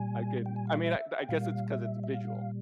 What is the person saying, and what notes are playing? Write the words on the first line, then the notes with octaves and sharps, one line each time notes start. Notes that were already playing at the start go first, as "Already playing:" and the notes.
I could I mean, I I guess it's because it's visual,
Already playing: A#2 G3 G#5
G5
G#5
F5
E5
G5
A#2 G3 F5
E5
E5
F5